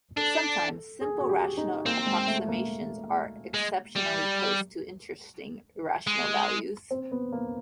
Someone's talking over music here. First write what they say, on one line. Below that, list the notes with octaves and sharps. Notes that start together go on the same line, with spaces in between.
Sometimes simple rational approximations are exceptionally close to interesting irrational values.
D4 A4
G#4
F#4
G4
D#4
A#3 C4
G#3
A3
A#3
G#3
G3
G#3
C4
B3
A#3